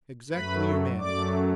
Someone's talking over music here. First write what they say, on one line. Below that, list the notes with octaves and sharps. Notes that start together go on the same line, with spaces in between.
"Exactly your man."
F#2 F#3 A3 B4 B5
F#2 F#3 A3 D5 D6